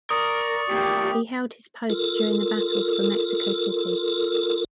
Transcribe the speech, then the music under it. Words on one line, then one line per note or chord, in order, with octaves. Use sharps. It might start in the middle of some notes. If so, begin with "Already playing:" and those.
He held this post during the battles for Mexico City.
A#4 D5 C#6 D#6
A2 A#3 G4
F4 A4 A#4